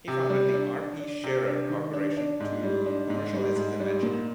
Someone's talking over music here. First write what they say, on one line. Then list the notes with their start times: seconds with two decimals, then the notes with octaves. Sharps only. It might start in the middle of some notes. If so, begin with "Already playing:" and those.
He founded the R. P. Scherer Corporation to commercialize his invention.
0.08 C3
0.30 G3
0.54 D4
0.76 D4
1.00 D4
1.24 C3
1.47 D4
1.70 D#3
1.93 D4
2.17 D4
2.40 G#2
2.63 G3
2.86 D4
3.10 G#2
3.33 G3
3.56 G#2
3.80 G3
4.03 A#2